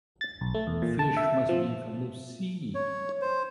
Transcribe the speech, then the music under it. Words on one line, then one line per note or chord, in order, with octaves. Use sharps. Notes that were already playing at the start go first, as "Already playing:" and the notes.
Fish must be from the sea.
A6
B1
A3
E2
A#2
A5
E5
F3
C#5
C5